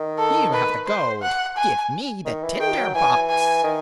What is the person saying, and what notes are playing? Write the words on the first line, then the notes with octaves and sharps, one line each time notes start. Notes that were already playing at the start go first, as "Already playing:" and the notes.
"You have the gold, give me the tinder-box!"
Already playing: D#3
A4
B4
C5
F#5
G#5
D#3
E3
D#3 G5
F#3
E3 G#5
G#5
D#3